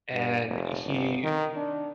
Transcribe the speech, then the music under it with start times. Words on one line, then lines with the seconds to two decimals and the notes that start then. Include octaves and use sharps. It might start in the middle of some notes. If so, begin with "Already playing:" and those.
And he
0.13 G2
0.47 F1
0.85 G1
1.24 D#3
1.56 D4